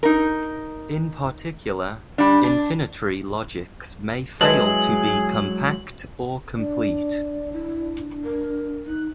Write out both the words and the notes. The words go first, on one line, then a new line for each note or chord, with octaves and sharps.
In particular, infinitary logics may fail to be compact or complete.
D#4 A#4
G3 D4
D4
F#3 G#3 E4 G#4 B4 D#5 A5 F#7
D4 D5
E4
A#4
D#4 F#6